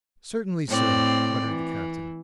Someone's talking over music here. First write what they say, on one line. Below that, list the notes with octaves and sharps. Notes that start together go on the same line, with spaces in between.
"Certainly, sir," muttered the captain.
A2 C4 D5
E3